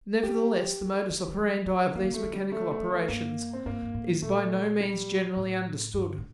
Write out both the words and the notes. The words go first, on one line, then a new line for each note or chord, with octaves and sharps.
Nevertheless, the modus operandi of these mechanical operations is by no means generally understood.
G3 G4
G3
G3
D#3
F#3
G3
F#3 A#3
D#3
F#3 A3
D3
G3
A3
A3
A3
G2 A#3
C4
G2 A#3
G2
A2
A#2 A3
G3
A2
G2
A2